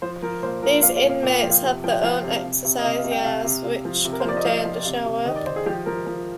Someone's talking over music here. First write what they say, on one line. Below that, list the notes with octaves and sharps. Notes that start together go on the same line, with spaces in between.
These inmates had their own exercise yards, which contained a shower.
F3 C5
F3 A#4
A#2 C5
F3 A#4
A#2 F5
F5
A#2
F5
A#2 G5
F3
F5
C3
F3 G5
F3 F5
C3
C3
C3
D#5
C3 F5
F5
C3
G5
C3 F5
C3
C3
F3
C3
A#4
C5
F3 D5
D#5
F3 F5
F3
C3
C3
D#3 D#5
D5
D#3 C5
G#4
F3 G4
F3 A#4
F3